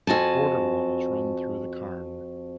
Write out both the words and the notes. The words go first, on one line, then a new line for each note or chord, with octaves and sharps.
Border walls run through the cairn.
F2 F#4 G#5 A5